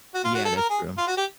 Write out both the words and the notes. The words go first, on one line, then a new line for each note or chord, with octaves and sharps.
Yeah, that's true.
F#4
F4
F#4
A4
A#4
G#4
F4
F#4
G4